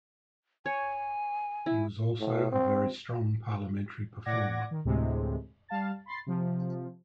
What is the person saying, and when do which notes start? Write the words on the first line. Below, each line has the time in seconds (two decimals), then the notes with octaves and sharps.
He was also a very strong Parliamentary performer.
0.66 C#5 G#5
1.66 E4
2.20 A2
2.52 C4
4.25 A2 D5 F#5 D6 G#6 A#6
4.71 D#3
4.85 D2 A2 C3 G#3
5.69 G3 F5 A5 A6
6.06 B5 C6 A6 C7
6.26 C3 F3